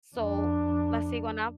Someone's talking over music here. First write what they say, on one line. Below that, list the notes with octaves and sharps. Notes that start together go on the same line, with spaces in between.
So, La Siguanab
F2 D4